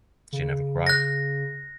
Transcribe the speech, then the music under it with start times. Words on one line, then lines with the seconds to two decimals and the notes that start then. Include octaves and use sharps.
She never cried.
0.32 C#3
0.87 F#6 A#6